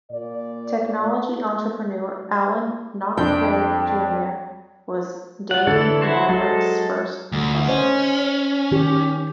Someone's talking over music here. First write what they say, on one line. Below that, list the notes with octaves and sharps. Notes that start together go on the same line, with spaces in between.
Technology entrepreneur Alan Knott-Craig Junior was "Daily Maverick"'s first investor.
A#2 D5
F2 D4 G5
F4 F#5
D3 E3 A4 C#5
E4 F#4 C5
F#3 G#3 A4 C5
D2
C#4 C5 D#5
D#3 G4